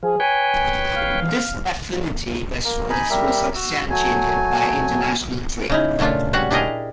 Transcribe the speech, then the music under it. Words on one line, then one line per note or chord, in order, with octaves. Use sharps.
This affinity westwards was substantiated by international trade.
F3 G#4
B4 C#5 G5 G#5
F5
A#3 A#4
D#4 D#5 G#5 B5
G3 G4 A#4 E5
F#4 E6
F#3 A3 G#5
C#3 D#4 E4
A#2 C#3 A3 D4 F4
C#3 G3 F#4 F#5
D4 E4 G4 G#4 A#4 D#5